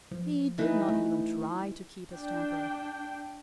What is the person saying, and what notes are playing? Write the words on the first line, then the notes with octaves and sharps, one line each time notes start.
He did not even try to keep his temper.
F3
E3 D#4 B4
A3
D4 G5